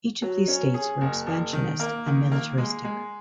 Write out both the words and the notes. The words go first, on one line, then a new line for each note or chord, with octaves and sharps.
Each of these states were expansionist and militaristic.
F#3
C#4
G#4
F#1
F#1
D#3
A#3
D#3
A#3
G#3
G#3